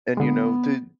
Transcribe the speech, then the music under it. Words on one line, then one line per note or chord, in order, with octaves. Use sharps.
and, you know, the eh,
D3 G#3 B3